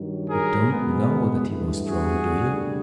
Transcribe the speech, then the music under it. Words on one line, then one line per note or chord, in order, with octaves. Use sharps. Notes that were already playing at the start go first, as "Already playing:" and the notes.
You don't KNOW that he was drowned, do you?
Already playing: G2 D#3 F#3
G#4 A#4
B2 G#3 B3
G2 E3 A3
F#4 G#4
D2 D3 G3